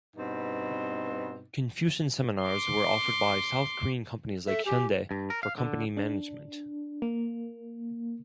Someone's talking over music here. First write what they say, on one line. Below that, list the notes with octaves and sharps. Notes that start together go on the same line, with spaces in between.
Confucian seminars were offered by South Korean companies like Hyundai for company management.
G2 B2 C4 D#4
C6 D6
A4 E5
G4 G#5
G2
A#4
F5
D3
D4
A#3